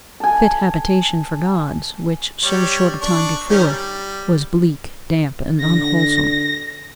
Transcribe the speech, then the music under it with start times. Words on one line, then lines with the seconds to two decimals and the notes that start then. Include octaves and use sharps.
Fit habitation for gods, which, so short a time before, was bleak, damp, and unwholesome.
0.20 G#5 A5
2.43 G3 C#5
3.02 D4 C#6
3.49 D#3 G3 C#4
3.66 G3
5.61 D3 A#6